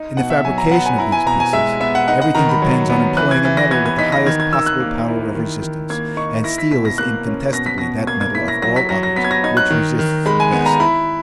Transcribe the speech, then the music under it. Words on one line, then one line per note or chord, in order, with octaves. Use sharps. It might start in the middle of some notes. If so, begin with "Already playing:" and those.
In the fabrication of these pieces, everything depends on employing a metal with the highest possible power of resistance, and steel is incontestably that metal of all others which resists the best.
Already playing: D#4
B2 F#5
E5
F#3 G#5
A#5
B3 F#5
G#5
E4 A#5
G#5
B2 A#5
G#5
G#3 E5
B3 E5
F#5
D#4 F#5
F#5
D#3 A#5
B5
F#3
B3
E3 F#6
G#6
E3
A#6
B3 G#6
G#6
D#4 B6
A#6
D#3 G#6
G#6
D#3 E6
F#6
A#3
E4
D#3
D#3
A#3 G#6
D#4 C#6
E4 A#6
B6
B2 B6
A#6
A#3 F#6
C#4
B2 A#6
B6
B2 A#6
A#3 G#6
G#6
E4 B6
A#6
F#3 A#6
B6
F#3 A#6
A#6
B3 B6
G#6
A#6
D#4 G#6
F#6
D#3
D#3
G#3 B5
G#5
B3
A#5
E4 B5